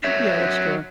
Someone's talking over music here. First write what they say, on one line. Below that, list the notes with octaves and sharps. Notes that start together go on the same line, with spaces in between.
Yeah, that's true.
F#3 C#5 E5